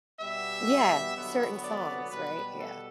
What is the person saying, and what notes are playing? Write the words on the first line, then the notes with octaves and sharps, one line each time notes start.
Yeah. Certain songs, right? Yeah.
B2 G3 B3 E5
D3 F#3 B3
D5
B2 G3 B3 B4
A4